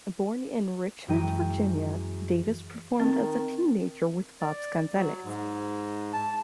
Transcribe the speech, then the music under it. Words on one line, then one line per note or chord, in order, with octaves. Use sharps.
Born in Richmond, Virginia, Davis performed as a teenager with Babs Gonzales.
F#2 E3 G#3 G5 A#5 D#7
D#3 C4
D5
F#3
G#2
A5